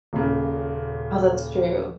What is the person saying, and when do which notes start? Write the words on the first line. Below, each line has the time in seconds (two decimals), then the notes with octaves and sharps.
Oh, that's true.
0.13 D#1 A#2 C#3